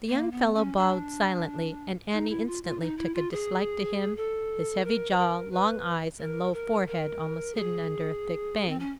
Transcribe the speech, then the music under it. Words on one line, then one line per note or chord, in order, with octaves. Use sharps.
The young fellow bowed silently, and Annie instantly took a dislike to him, his heavy jaw, long eyes, and low forehead almost hidden under a thick bang.
A#3
B3
C#4
D4
D#4
E4
F4
F4
D#4
E4
F4
G#4
A4
A#4
B4
A#4
B4
A#4
A#4
A#4
G#4
C4
C#4